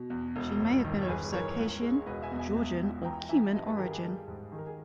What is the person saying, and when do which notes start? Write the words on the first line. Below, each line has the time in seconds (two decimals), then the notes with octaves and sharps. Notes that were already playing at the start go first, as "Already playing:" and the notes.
She may have been of Circassian, Georgian, or Cuman origin.
Already playing: B2
0.10 E2
0.36 E1
0.60 G1
0.85 D#3
1.02 C#5
1.08 G1 G#4 B4
1.33 E3 A#4 C#5
1.57 C#2
1.82 G#3
2.06 E1 B4 D#5
2.22 E5 G#5
2.32 E2
2.39 E5 G#5
2.56 C#2
2.81 C#2
3.04 E3 G5 A#5
3.29 E3 E5 G#5
3.54 G2 B4 D#5
3.66 G#4 B4
3.78 D#3 G4 A#4
3.91 G#4
4.03 G3 G#4
4.28 G#2
4.52 D#3 G#4
4.58 A#4
4.66 G#4